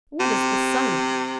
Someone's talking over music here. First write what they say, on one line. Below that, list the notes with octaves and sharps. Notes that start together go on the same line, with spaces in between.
What is the sun?
C3